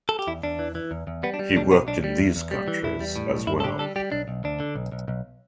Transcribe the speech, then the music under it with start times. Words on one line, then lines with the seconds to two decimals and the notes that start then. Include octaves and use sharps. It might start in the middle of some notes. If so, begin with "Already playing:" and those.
He worked in these countries as well.
0.09 A4
0.19 G4
0.27 E2 E4
0.43 E2 D4
0.59 E3
0.75 E3
0.91 E2
1.07 E2
1.23 G3 B3
1.34 D4
1.39 G3
1.56 B1 D4
1.71 B1 B3
1.87 B1 D4
2.04 G3
2.19 E2
2.36 E2
2.51 G3
2.68 E3
2.83 E2 E4
3.00 G3
3.16 A2
3.32 B1
3.47 G2 E4
3.60 A4
3.64 D3 G4
3.79 G3 A4
3.96 G3 G4
4.12 B1 D4
4.28 B1
4.44 D2 D4
4.60 D3
4.75 B1
4.92 B1
5.08 B1